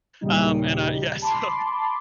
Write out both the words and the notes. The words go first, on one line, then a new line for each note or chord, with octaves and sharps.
um, and, uh, yeah, so
D#2 A#2 C#3 G3 D#4
A5 B5 C6 D6